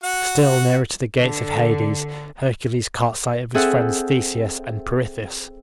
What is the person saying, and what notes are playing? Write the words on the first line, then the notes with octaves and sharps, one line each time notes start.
Still nearer to the gates of Hades Hercules caught sight of his friends Theseus and Pirithous.
F#4 F#5
D3
C4 G#4 A4 E5 F#5